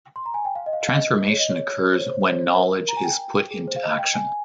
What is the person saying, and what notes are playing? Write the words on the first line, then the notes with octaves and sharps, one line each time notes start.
Transformation occurs when knowledge is put into action.
C6
A#5
G#5
G5
F5
D#5
F5
D#5
F5
D#5
C#5
D#5
C#5
C5
C#5
C5
C#5
C5
C#5
C5
C5
A#4
A#4
A#5
G#5
G5
G#4
C5
F5
D#5
F5
G5
G#5